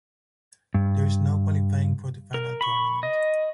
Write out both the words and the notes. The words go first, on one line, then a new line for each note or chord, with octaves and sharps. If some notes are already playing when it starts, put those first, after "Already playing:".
There is no qualifying for the final tournament.
G2
A#4
B5 C#6
D#5